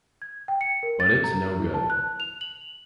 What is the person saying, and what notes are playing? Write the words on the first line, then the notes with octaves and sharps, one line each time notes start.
But it's no good.
G#6
G5
C#7
A#4
A6
A#5
E4
A5
F#6
F7
F#7